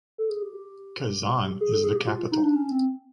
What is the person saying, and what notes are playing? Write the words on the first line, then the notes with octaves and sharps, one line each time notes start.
Kazan is the capital.
A4
G#4
G4
G4
G#4
A4
G#4
G4
F4
D#4
D4
C#4
C4